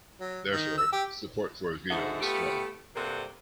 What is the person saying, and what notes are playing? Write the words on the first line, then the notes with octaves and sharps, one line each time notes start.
Therefore, support for a veto was strong.
F#3
D#3
E6
G4
G#2 D3 D#4 G#4 E5 F#5
A3 B3 E4 F4 G4
G2 C3 A#3 F#4 A4 A#4